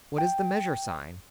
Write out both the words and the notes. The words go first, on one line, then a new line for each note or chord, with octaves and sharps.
"What is the measure-sign?"
G5